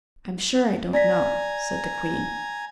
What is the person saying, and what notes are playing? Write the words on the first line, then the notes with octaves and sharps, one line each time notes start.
"I'm sure I don't know," said the queen.
D5 G#5 A#5 A#6 B6